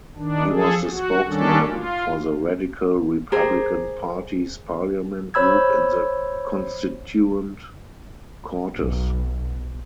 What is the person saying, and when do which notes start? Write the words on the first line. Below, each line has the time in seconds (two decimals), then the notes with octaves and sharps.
He was the spokesman for the Radical Republican Party’s parliament group in the Constituent Cortes.
0.16 D#3 D4
0.49 F3 G#4 A4
0.89 F#4
1.26 D#3 G3 C#4 D4 A4
1.70 F4
3.32 G4 G#4 A#4 C5
5.34 C5 C#5 B5 E6 G#6
8.79 B1